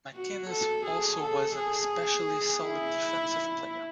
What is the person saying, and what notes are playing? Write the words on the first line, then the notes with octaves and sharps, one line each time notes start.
McInnis also was an especially solid defensive player.
F#4
A4
G#4
A4
G#4
E4